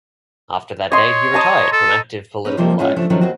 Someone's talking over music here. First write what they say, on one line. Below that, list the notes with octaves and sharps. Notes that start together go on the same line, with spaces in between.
After that date he retired from active political life.
C#5 D#5 C6
D#5 A5 A#5
A4
C#4 D#4 B4
F2 C3 F3 G3 A#3 A#4
A2 G#3 C#4 F4 G#4
C#3 F3 A3 D4
D#3 F3 F#3 A3 C#4 D4
D#2 C4 F#4